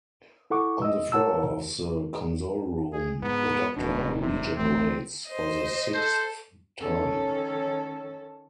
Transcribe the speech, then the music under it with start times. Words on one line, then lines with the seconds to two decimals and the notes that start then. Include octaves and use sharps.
On the floor of the console room, the Doctor regenerates for the sixth time.
0.50 E4 A4 F#5 C#6 D6
0.82 D#5 E6
1.12 A#4 C#5 F#5 A5 E6
2.93 G#4
3.23 G#2 B3
3.76 D#1 D#2 B2 D4
4.21 C3
4.57 D1 A1 A3 C4
5.28 C5 D#5
5.94 A4 C5
6.80 D#3 C#4 A4